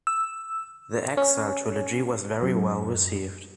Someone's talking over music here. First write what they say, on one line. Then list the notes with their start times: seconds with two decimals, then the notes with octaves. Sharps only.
The "Exile" trilogy was very well received.
0.07 E6
1.17 C#4
2.43 F#2